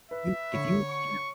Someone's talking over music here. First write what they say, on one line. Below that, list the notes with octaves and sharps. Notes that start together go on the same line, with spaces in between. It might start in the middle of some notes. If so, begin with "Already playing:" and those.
you if you, you know,
B4 E5
D3 C#5 B5
C#6